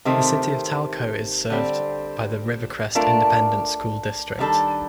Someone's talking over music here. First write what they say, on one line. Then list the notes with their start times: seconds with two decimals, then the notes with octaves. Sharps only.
The City of Talco is served by the Rivercrest Independent School District.
0.05 C3 D#3 A3 C4
1.50 D3 G3 C4
2.95 A3 D4 F4 A#4
4.39 D#3 G3 D4 A4